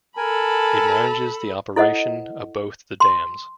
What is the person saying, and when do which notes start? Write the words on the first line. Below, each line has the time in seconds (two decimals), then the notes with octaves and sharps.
It manages the operation of both the dams.
0.17 A4 A#4 G#5 A5 B5
1.76 E4 A4 C5 D#5 F#5
3.00 C6